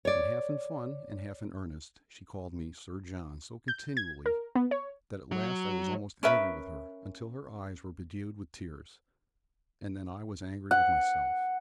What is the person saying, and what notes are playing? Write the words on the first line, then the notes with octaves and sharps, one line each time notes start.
And half in fun, and half in earnest, she called me 'Sir John' so continually, that at last I was almost angry with her; until her eyes were bedewed with tears; and then I was angry with myself.
C#5 D5
G6
G#6
A#4
B3
C#5
F#3
C#4 A#4 B4 E5
F#5